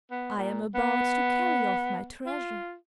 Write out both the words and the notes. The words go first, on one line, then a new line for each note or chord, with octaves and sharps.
I am about to carry off my treasure.
B3
A#2
B3
F4